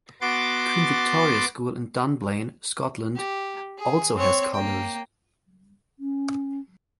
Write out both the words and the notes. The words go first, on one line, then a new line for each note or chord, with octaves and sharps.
Queen Victoria School in Dunblane, Scotland, also has Colours.
B3 F#4 C6 D6 A6
G4
G#4
C4 C#5
A#3 G5
C#4